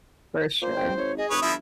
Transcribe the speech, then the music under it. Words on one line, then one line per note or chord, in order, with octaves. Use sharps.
For sure.
A#2 C5
A1 G5
G#1 C#5
G#4 D#5
F1 B4 C#5 D#6
G1 F3 E4 B5